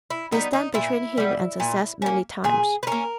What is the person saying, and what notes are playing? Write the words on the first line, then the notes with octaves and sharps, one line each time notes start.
They stand between him and success many times.
E4
G3 B3 D#4
D#4
A#2 E4
G3 B3
A#2
A#3 C#4
A#2 G#4
B4
A#3 C#4 A#4